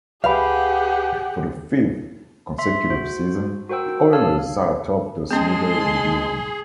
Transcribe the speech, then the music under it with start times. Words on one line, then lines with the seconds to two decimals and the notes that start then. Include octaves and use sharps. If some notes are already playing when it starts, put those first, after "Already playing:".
For the fifth consecutive season, the Oilers sat atop the Smythe Division.
0.24 C#2 G4 G#4 B4 F5 F#5 B5
2.58 E5 C6
2.90 F#4 C5
3.69 F#4 A#4 C5 G5 E6
4.13 C#5 F5 A5 E6 F6
5.31 G#3 B3 C#4 G#4 A5 C6